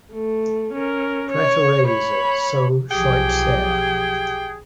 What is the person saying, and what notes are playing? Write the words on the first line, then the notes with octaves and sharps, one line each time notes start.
Pretorese So 'schoit sair.
A3
C#4 A#4
C#5
C#5 B5
B1 F3 G4 G#4 G5